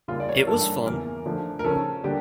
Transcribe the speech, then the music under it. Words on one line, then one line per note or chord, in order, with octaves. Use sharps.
It was fun.
C#3 G3 A#3 F4
D5
C#5
A#4
G2 E3 A#3 D4 A4
E2 C#3 E3 A#3 A#4
D3 F3 A3
A#4
C#3 F3 C#4 A4
D3 G3 A#3 D4 G4